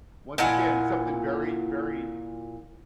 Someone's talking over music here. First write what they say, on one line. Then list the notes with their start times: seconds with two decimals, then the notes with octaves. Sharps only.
once again, something very, very
0.38 A#2 E4 F#5 G#5